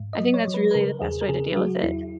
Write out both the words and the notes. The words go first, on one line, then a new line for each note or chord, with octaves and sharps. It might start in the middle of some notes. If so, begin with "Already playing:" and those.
I think that's really the best way to deal with it.
Already playing: G#2
D#5
F#3
C#5
F#3
B4
B4
C#3 A#4
E2 G#4
A#4
C#3 G#4
F#3 F#4
E2 E4